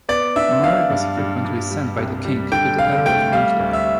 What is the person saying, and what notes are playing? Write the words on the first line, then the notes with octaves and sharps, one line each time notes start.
Murray was frequently sent by the king to the Earl of Huntly.
B3 D5
D4 E5
D4 F5
G2
G2
G2
G3
C2
G3
D3 G5
F1 F5
A3 G5
G3 F5
D2
E5